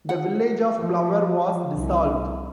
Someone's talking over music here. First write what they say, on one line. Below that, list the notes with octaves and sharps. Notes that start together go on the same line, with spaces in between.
The village of Plover was dissolved.
F#5
F3
C2